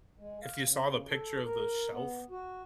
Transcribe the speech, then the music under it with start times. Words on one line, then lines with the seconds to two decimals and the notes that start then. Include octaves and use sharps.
if you saw the picture of the shelf
0.19 G#3
0.42 F5
0.63 C#3
1.09 A4
1.45 A#4
1.93 B3
2.30 F#4